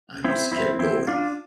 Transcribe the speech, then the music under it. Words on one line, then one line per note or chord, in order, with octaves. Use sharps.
I just kept going,
C4 E4
C4 E4
C4 E4
D4 F4